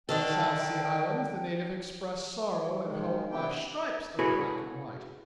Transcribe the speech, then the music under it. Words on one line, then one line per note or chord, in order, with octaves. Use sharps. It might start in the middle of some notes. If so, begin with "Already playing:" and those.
In the South Sea Islands the natives express sorrow and hope by stripes of black and white.
D3 D#3 A4 G5
D#3 G#3
C3 B3 D4 E4 G4 G5
E4 F#4 G#4 A4 B4 C#5